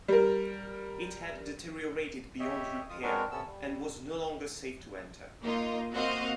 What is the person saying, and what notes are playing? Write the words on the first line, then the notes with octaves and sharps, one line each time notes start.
It had deteriorated beyond repair and was no longer safe to enter.
G3 A#4
G4 C#5 D#5 E5
F2 F4 D#6
G#3 B3 C4 D4 F#4 A#4
C3 B3 C#4 A4 E6
G3
A#3 D#4 F4
A#3 C4 F#4 C5 D#5 F5